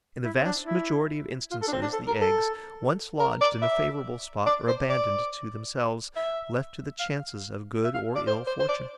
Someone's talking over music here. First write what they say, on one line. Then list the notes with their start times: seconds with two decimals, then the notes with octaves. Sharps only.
In the vast majority of instances, the eggs, once lodged in a favourable spot, are abandoned to themselves, left to the chances of good or ill fortune.
0.25 E4
0.38 C4
0.45 D4
0.66 E4
1.51 F4
1.62 A4
1.68 D4
1.72 C4
1.82 D4
1.93 A4
2.08 A#4
2.21 A4
3.20 A#4
3.41 D5
3.62 E5
4.46 D5
4.68 C5
4.89 D5
6.16 E5
7.00 F5
7.84 E5
7.94 F5
8.15 D5
8.27 C5
8.47 C5
8.60 C5
8.69 D5